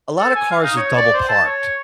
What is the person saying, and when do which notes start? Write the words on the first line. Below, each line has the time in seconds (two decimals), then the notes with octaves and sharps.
A lotta cars are double-parked.
0.19 A4
0.35 G#5
0.51 F5
0.64 D#4
0.77 C#5
0.96 D5
1.14 C5
1.29 A5
1.45 C#5